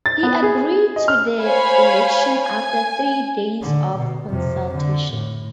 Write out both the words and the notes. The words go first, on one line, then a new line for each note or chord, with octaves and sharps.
He agreed to the election after three days of consultation.
A6
B3
G#4
D#5
F6
C5 C#5 F5 G#5 B5
G#5
D3
B2
F2 C3
D3
A2